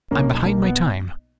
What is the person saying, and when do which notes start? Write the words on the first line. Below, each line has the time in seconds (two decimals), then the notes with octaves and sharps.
"I am behind my time."
0.11 B1 A#3 C#4
0.34 B1
0.46 A#3
0.57 B1
0.64 B3